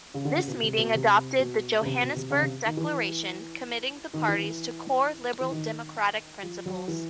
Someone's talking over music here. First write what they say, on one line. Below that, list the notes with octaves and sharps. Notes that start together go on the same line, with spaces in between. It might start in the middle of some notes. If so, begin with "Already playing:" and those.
This meeting adopted the Johannesburg Declaration, committing the parties to core liberal democratic principles.
C#3
D3
C#3
B2
C3
B2
C3
B2
C#3
C3
B2
C3
C#3
C3
D#3
E3
D#3
E3
E3
E3
D#3
F3
F#3
E3